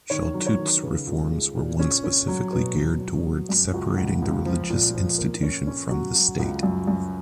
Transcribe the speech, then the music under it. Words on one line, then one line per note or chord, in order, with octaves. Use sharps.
Shaltut's reforms were ones specifically geared toward separating the religious institution from the state.
D#3 C#5
F#3
C#5
D#3
C#3 B4
C#2
G#3
A#2
C#4
C#4
F#3
B2
B2
F#3
F#3
F#2
C#2 F#4
C#2
C#2
F3
A#2
F3
A#3
C#4
C#4
F#3 F#4
F#3
C#2
F#2
F#2